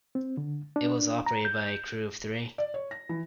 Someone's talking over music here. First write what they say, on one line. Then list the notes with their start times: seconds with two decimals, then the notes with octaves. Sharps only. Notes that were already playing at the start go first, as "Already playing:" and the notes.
It was operated by a crew of three.
0.15 C4
0.37 D3
0.76 D4
1.26 A#5
1.45 G6
2.58 D5
2.74 C#5
2.91 A#6
3.09 E3